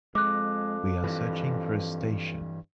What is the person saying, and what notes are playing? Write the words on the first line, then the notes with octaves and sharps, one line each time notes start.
We are searching for a station.
F2 G#3 D6 F#6
G2 E3